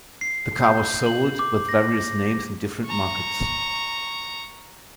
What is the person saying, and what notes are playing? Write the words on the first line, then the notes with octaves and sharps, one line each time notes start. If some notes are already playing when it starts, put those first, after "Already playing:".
The car was sold with various names in different markets.
C7
G6
F#7
D6
A#6
A#5 C#6